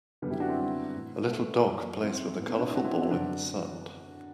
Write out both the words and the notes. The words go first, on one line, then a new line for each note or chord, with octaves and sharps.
A little dog plays with a colorful ball in the sand.
F#2 D3 G3 B3
E4 G4
D4 F#4
C4 E4
G3
A2 E3
B3
A3
F#2 E3
C4 E4
A2 E3 B3
C4
D4
E4
D4 F#4
C4 E4
B3 D4
C4 E4
F#2 D3 D4 F#4